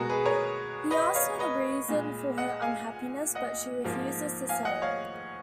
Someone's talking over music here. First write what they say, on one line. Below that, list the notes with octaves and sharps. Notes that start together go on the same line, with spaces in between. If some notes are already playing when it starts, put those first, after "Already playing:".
He asks her the reason for her unhappiness but she refuses to say.
Already playing: B2 G#3 F#4 A#4
G#4 B4
A#4 C#5
B4 D#5
C#5 F5
B4 D#5
A#2 G#3
D#5 F#5
F5 G#5
D#5 F#5
G#2 F3 A#3
F5 G#5
D#5 F#5
C#5 F5